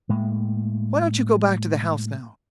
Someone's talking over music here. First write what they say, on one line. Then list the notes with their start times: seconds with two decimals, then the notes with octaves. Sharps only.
"Why don't you go back to the house now!"
0.09 A2 G#3 A#3